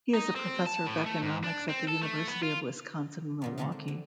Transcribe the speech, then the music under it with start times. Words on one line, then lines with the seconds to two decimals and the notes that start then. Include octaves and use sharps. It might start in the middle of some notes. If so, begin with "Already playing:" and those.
He is a professor of economics at the University of Wisconsin-Milwaukee.
0.15 D#4
0.36 C4
0.66 A5
0.87 A2
1.06 A3
1.22 G#2
1.44 D4
1.69 C4
1.88 A4
2.03 A3
2.27 B3
2.43 F4
3.42 E2 A#2 C#3
3.58 D3 D#3 G#3 A3 C4 D#4
3.72 D4
3.88 D3